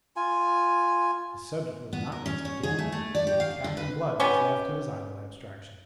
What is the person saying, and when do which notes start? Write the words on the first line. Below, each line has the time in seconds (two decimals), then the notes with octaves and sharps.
The subject was not raised again, and Captain Blood was left to his idle abstraction.
0.16 F4 G#5
1.93 B3
2.12 A#4
2.26 C#4
2.45 C#5
2.63 G#4
2.79 A3
2.92 A3
3.15 D5
3.27 G4
3.40 F5
3.64 D3
3.77 B4
4.20 B3 C#4 G4